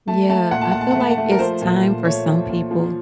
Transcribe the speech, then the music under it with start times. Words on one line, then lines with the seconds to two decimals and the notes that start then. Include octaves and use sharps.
Yeah. I feel like it's time for some people,
0.08 A3 A5
0.30 A3 A5
0.51 A#2 F#5
0.61 A5
0.71 A#2 F#5
0.81 A5
0.91 A3 F#5
1.00 A5
1.11 F#5
1.17 A3
1.31 A#4
1.39 F3 C5
1.61 A#2
1.83 A#2
2.05 A3 C#5
2.27 F3
2.49 A#2
2.71 F3